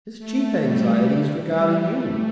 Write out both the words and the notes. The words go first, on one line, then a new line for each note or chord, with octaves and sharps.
His chief anxiety is regarding you.
A3
G3
G3
A3